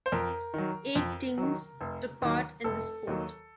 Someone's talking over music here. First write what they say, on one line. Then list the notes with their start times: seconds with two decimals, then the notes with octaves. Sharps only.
Eight teams took part in this sport.
0.06 C5
0.12 F2 A#4
0.54 D#3 F#3
0.95 F2
1.38 D#3 F#3
1.81 F1
2.22 D#2 D#3 F#3
2.64 F1 A4
3.07 D#2 D#3 F#3